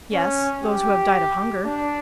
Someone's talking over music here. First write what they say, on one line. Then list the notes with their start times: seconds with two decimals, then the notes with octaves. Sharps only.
"Yes; those who have died of hunger."
0.13 C#4
0.64 G4
1.66 D4